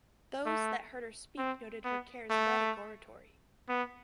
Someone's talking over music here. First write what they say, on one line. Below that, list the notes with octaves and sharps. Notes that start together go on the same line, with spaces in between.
Those that heard her speak noted her charismatic oratory.
A3
C4
B3
A3
B3